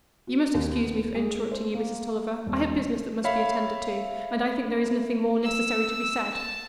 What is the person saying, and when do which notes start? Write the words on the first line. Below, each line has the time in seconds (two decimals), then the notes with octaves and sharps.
"You must excuse me for interrupting you, Mrs. Tulliver; I have business that must be attended to; and I think there is nothing more necessary to be said."
0.27 F#4
0.54 D#2
0.84 B3
1.15 G#3
1.52 C5
1.75 A#3
2.46 E1
3.24 C#5 E5 F5 B5
5.44 E6
6.34 A5